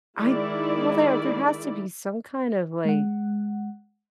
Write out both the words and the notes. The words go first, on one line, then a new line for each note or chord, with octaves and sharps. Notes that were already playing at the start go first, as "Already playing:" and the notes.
I well there there has to be some kind of, like
D#3 G#3 E4 D5
G#3 F#5